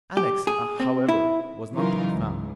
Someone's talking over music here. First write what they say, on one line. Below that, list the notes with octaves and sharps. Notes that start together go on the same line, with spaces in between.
Alex, however, was not to be found.
G4
G#4
C4
E4
C#3 E3 F#3 D#4 F4 A#4
C#2 G#2